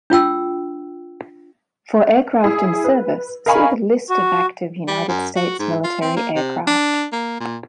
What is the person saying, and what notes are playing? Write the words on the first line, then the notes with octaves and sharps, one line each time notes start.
For aircraft in service, see the List of active United States military aircraft.
D4 F4 G5 E6
E4 G#4
B4
A#4 D#5 F5 G#5 B5 C#6
F#4
G3
F#2
F#4
G#2
F4
C4
A#3
C3
D4
A#3
A#2